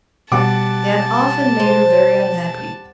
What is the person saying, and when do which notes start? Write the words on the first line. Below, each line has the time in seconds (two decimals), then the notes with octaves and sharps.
They had often made her very unhappy.
0.32 B2 G3 F#5 A5 D6
1.59 C5